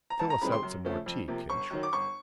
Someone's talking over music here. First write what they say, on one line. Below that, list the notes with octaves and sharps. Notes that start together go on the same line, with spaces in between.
Fill us out some more tea, Kinch.
A#5
C#2 A5
A#5
C#3 E3 G#3 C4 B5
C6
F#2
C#3 F3 A3
F2
C3 F3 A#3
G1 C#6
F#2 D#3 F#3
D6
G1 C#6